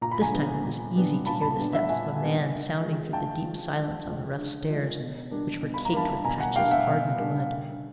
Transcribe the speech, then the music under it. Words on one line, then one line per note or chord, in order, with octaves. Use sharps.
This time it was easy to hear the steps of a man sounding through the deep silence on the rough stairs, which were caked with patches of hardened mud.
A#2 A#5
B5
G#5 A#5
G3 B3 D4
A#2
G3 B3 D4
A#2 A5 B5
A5 B5
G3 B3 D4
E5 F#5
A#2 F#5 G#5
G3 B3 D4
D3
F3 G#3
D3 G5 A5
F3 G#3
D3
F3 G#3
D3
F3 G#3
B2
G3 A#3 D4
B2
B5
A#5
G3 A#3 D4 A5 B5
B2 G#5 A#5
F#5 G#5
G3 A#3 D4 F5 G5
E5 F#5
B2
G3 A#3 D4
D3